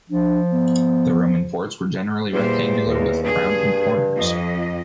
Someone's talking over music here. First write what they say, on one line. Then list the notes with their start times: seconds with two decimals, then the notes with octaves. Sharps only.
The Roman forts were generally rectangular with rounded corners.
0.10 F3 D4
0.51 B3
2.33 E2 A#2 G3 C5
2.85 D#2
3.23 G2 G#4
4.17 F2 D#5